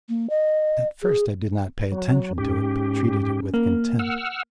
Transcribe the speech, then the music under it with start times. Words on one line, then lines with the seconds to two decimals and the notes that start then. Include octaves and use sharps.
At first I did not pay attention to it, but treated it with contempt.
0.09 A#3
0.30 D#5
1.02 G#4
1.92 F#3
2.38 G#2 C#4 G4
3.54 A#3
3.99 F#5 E6 F6